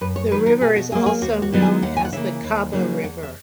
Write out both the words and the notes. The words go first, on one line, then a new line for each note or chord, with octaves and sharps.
The river is also known as the Kaba River.
F#2 B4
C#5
D#3 F#3 B4
A#4
B2 G#4
F#4
F#3 A#3 G#4
G#4
D#2 F#4
F#4
D#3 F#3 B3 E4
G#4
D#2 F#5
G#5
F#5
C#3 E3 A#3 E5
D#2
C#3 F#3 A#3 D#4
E2 F#5
E5